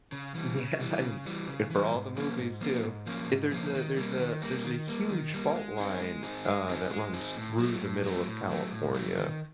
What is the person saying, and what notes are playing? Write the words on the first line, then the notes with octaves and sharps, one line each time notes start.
Yeah, and if for all the movies too. If there's a there's a there's a huge fault line, uh, that runs through the middle of California,
C#3
E3 G3
C#3
E3 G3
C#3
E3 G3
C#3
E3 G3
G#2
F3 A#3 C#4
G#2
F3 A#3 C#4
G#2
F3 A#3 C#4
G#2
F3 A#3 C#4
D#3
G3 A#3
D#3
G3 A#3
D#3
G3 A#3
D#3
G3 A#3
G#3
C4 D#4 G#4
G#3
C4 D#4 G#4
G#3
C4 D#4 G#4
G#3
C4 D#4 G#4
A2
F#3 A3
A2
F#3 A3
A2
F#3 A3
A2
F#3 A3
D#3